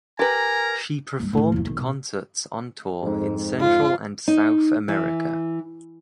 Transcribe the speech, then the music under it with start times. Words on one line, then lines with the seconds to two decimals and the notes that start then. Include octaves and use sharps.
She performed concerts on tour in Central and South America.
0.19 G4 A#4 B4 G#5 A#5
1.20 G2 G3
1.33 A2 D3
1.52 G1 E2
1.65 B1 D#3
1.79 B2
3.03 F2 G#2
3.60 F4
4.28 D#4
4.88 E3